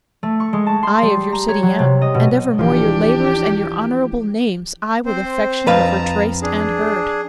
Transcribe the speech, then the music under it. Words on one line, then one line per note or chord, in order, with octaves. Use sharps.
I of your city am; and evermore Your labours and your honourable names I with affection have retraced and heard.
A3
C#6
G#3
A5
C6
G3
A#5
C#5
F#3
C3
D#5
B2
D1 E3 F3 D4 G4
C4 C5
F2 B4 F5 A5 A#5
D4 G#4